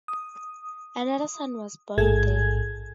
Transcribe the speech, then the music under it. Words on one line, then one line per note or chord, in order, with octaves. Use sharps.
Another son was born there.
D#6
A1 G#2 G#4 A4 G#6